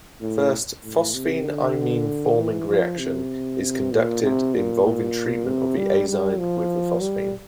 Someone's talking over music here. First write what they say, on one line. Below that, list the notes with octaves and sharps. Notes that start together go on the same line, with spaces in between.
First phosphine imine-forming reaction is conducted involving treatment of the azide with the phosphine.
A2
A2
C3
D3
E3
F3
C3
A#2
C3
A#2
A#2
C3
G3
G3
F3
G3